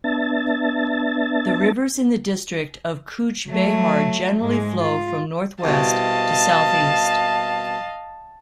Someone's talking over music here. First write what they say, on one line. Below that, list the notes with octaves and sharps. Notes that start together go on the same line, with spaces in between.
The rivers in the district of Cooch Behar generally flow from northwest to southeast.
B3 D4 E5 A5 A6
F#3 A3
G#2 G#3
F4
C2 B2 D#5 F5 A5